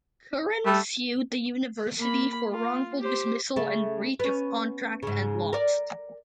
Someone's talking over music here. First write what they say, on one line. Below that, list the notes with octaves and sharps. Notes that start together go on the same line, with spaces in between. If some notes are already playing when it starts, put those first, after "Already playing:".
Curran sued the University for wrongful dismissal and breach of contract and lost.
G3 A3
A#3 B5
F4
G4 C5
C#3 A3
B3 C#4
G#2 C#3
A#4 D5